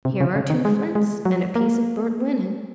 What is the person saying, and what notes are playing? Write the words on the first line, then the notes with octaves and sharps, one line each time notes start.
"Here are two flints and a piece of burnt linen."
C3
C#3
C#3
D#3
G#3
G#3
F#3
A#3